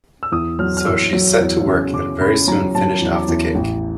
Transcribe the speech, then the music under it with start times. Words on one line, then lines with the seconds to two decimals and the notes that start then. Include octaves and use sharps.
So she set to work, and very soon finished off the cake.
0.23 E6
0.32 E2 D#6
0.59 F#3 F6
0.77 F6
0.86 E2 E6
1.13 F#3
1.40 E2
1.67 C#3
1.93 C#3 D6
2.21 C#3 B5
2.47 F#3 A#5
2.75 F#3 A5
3.02 E2
3.15 D6
3.28 E2
3.55 A1